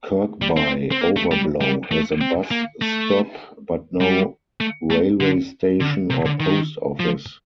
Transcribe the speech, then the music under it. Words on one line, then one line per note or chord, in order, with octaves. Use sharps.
Kirkby Overblow has a bus stop, but no railway station or post office.
G3
C4
C4
A#3
A3
G3
G3
A3
C4
A#3
A3
G3
A3
A3
D3
D3
C3
D3
D#3
F3